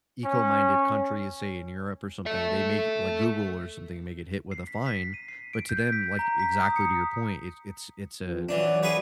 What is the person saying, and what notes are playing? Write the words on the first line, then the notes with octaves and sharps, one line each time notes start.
eco-minded countries, say, in Europe or something, they may g like, Google or something may get hit with a fine, but to them, like exactly to your point, it's it's it's a,
C#4
A4 E5
C7
B6
B6
D#7
C7
D7
G6
B6
A#5
B6
D#6
C#7
F2
E3 F#3 D4
F#3 G#4 B4 F#5